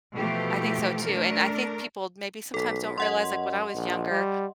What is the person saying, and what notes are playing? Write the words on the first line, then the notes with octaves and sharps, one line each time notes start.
I think so too, and I think people, maybe sometimes, don't realize like, when I was younger,
B2 E3 F3 A3 G4
A3 D4 A#4
B1 A4 B6
F#2 D#5 F#5 C6
A#1
G3